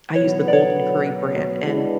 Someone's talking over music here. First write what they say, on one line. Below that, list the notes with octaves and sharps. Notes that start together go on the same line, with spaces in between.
I use the Golden Curry brand, and
B2 F#3 B3 C#5
D5
C#5
E3 G#3 B3 D4